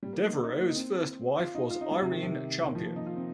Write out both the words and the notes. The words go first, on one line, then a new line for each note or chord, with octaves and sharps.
Devereaux's first wife was Irene Champion.
G3
A#3
D#4
D#4
A#3
D#4
C4
F4
D#4
F4
D#4
G3
C3
D#3
C3
D#3
F3
A#3
D#4
F4
C4